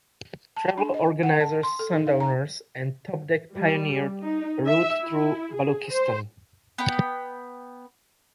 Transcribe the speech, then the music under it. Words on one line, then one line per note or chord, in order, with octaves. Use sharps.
Travel organizers Sundowners and Topdeck pioneered a route through Baluchistan.
A5
D4
D#5
F#5
A5
C6
A4
D#4
F5
A#5
G3
D#4
E5
E4
G#4
C5
B3 G5